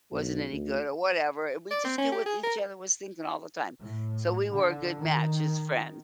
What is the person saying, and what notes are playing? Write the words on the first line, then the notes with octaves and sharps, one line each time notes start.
wasn't any good or whatever. We just do what each other was thinking all the time. So we were a good match as friends.
B1
D2
D5
C4
C#4
G4
G#4
A#4
A2
D3
D#3